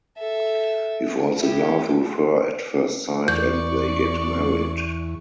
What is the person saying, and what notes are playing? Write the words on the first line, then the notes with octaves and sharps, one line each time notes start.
He falls in love with her at first sight and they get married.
A4 E5
E4 G4
E2 D5 C#6 G6